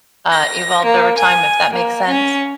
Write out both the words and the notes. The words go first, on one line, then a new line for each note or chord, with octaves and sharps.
uh evolved over time, if that makes sense.
A#6
A#3
G#5
A#3
C#4